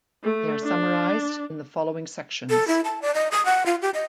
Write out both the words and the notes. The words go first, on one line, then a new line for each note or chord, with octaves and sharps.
They are summarized in the following sections.
A3
D4
A4
E4
A5
D5
D#5
D#6
F#5
F4
G4
D#5